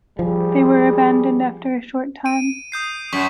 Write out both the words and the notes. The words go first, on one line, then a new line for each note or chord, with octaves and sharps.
They were abandoned after a short time.
F3 G3 G#4
D7 D#7
D#6 G6 C7
F#2 C#6 B6 F#7